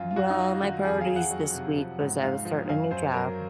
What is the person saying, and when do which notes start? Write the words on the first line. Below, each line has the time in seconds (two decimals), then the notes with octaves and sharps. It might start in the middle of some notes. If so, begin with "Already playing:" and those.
Well, my priorities this week was, I was starting a new job,
Already playing: F#2 F4
0.11 F4
0.16 F#2 F#4
0.30 D#4
0.39 F#3 F4
0.61 D#3 F#4
0.85 F2 G#4
1.01 F5
1.08 F2
1.16 F#5
1.31 F#3
1.54 C3
1.77 F3
2.00 G#2
2.22 G#2 F5
2.45 F3
2.69 F#2 F5
2.91 F#2 C5
3.14 F#3 A#4